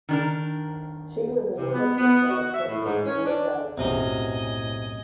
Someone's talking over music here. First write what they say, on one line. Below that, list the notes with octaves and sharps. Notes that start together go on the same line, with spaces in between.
She was an older sister of Princess Maria Galitzine.
D#3 D4 A#4
C3
B3
B3
F#4
E5
A2
G#2
C#4
D4
B1 F#2 A2 C3 C#4 D#5 G#5